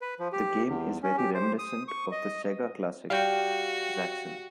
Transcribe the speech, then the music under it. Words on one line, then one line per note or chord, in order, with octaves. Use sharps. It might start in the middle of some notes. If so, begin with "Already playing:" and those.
The game is very reminiscent of the Sega classic Zaxxon.
B4
F3
G4
E2
C#4
G4
C5
D#6
C#6
D#5
G3 F#4 F5 G5